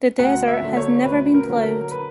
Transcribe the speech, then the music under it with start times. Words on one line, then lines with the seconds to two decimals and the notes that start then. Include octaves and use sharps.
The desert has never been ploughed.
0.19 D2 F#5
0.48 E5
0.62 D3 F#3 A#3
0.77 C#5
1.05 D2 B4
1.34 A#4
1.48 D3 F#3 A#3
1.63 A#4
1.91 B4